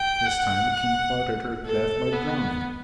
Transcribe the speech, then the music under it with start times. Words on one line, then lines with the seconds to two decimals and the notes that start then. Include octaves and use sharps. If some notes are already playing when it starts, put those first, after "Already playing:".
This time the king plotted her death by drowning.
Already playing: G5
0.25 F#5
0.72 F#5
1.66 A4
2.13 B3